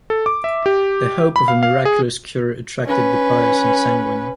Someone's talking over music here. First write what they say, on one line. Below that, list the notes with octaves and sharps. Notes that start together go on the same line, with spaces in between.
The hope of a miraculous cure attracted the pious and sanguine.
A4
D6
E5
G4
B5
F5
F5
G#4
C#4 B4